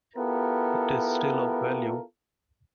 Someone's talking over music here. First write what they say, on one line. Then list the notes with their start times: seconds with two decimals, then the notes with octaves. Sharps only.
It is still of value.
0.17 B3 E4 F4 G4 A4 A#4